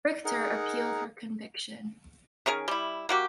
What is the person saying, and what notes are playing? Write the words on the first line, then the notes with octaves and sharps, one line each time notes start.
Richter appealed her conviction.
D#4 G#4 A#4 F#5
D#3 C#4 G#4 A#4
G3 E4
A#3 F#4 G4